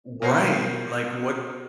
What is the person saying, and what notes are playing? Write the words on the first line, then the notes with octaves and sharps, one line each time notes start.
Right. Like, what
B2 A#4 C5 C#5 C7